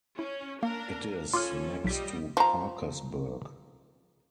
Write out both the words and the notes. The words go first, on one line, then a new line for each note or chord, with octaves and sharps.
It is next to Parkersburg.
C#4 E4
A#3 D4 A#4
C#4 F4 A4 C6 D6 F6
B1 G3 G4 D#5 B6
F3 A#5